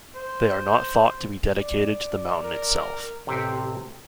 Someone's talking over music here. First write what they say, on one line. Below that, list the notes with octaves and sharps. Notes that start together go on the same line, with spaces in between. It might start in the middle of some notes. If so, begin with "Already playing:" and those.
They are not thought to be dedicated to the mountain itself.
C5
D5
A#4
A1 C3 G4 C5 F#5 G5